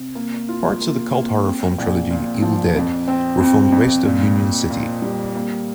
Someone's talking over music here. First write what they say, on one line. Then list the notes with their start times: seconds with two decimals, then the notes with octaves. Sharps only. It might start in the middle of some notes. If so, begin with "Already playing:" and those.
Parts of the cult-horror film trilogy "Evil Dead" were filmed west of Union City.
Already playing: C3
0.15 A#3
0.49 F4
0.81 A#3
1.14 A#3
1.46 C4
1.78 A#1
2.10 A#2
2.42 F3
2.76 F2
3.08 C4
3.41 F2
3.72 F2
4.05 A#2
4.37 A#2
4.70 A#2
5.02 G3
5.35 A#3